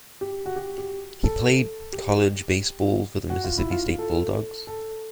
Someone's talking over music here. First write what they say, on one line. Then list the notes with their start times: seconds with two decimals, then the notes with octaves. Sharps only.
He played college baseball for the Mississippi State Bulldogs.
0.21 G4
0.46 F#4
0.56 G4
0.78 G4
1.24 A4
1.93 G4
3.30 F#4
3.44 F4
3.58 E4
3.71 F4
3.99 A4
4.67 A4